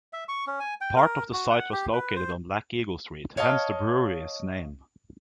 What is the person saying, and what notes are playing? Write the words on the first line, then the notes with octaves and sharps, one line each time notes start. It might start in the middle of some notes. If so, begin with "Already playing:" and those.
Part of the site was located on Black Eagle Street, hence the brewery's name.
E5
C#6
C#4
G#5
G5
A#4
F#4
F#5
G4
B4
C5
C#5 D#5 F5 A5